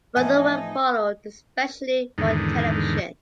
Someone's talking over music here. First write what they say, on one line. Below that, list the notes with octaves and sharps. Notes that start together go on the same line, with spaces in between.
Further work followed, especially for television.
A2 E3 F3 B3 C4 D4 D#4 G#5
E2 G#2 D3 D#3